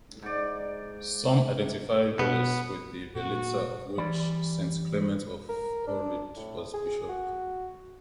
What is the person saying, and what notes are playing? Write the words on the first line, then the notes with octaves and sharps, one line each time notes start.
Some identify Veles with the Velitza of which Saint Clement of Ohrid was bishop.
G#2 D5
B2 B3
A#2 F#4
E3 G3 D5 B5
A#4
D4
A2
G#4
F#4